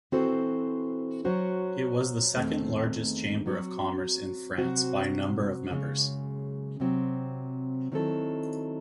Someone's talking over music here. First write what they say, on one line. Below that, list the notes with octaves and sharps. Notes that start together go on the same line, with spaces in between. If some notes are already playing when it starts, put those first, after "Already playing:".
It was the second largest Chamber of Commerce in France by number of members.
E3 C4 F#4 A4 C5
F#3 C#4 F#4 C5
E2 D#3 A3 C4
F#3 C4 F#4
C3 F#3 C4 F#4 C5
F#2 C#3 G#3
C3 F#3 C4
D#3 F#3 C4 E4 A4